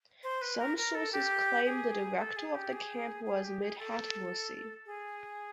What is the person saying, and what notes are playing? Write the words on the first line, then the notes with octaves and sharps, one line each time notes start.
Some sources claim the director of the camp was Midhat Mursi.
C5
B4
A#4
A#4
A4
G4
G#4
A4
G#4
G4
G#4
G#4
G4
G#4
A4
G#4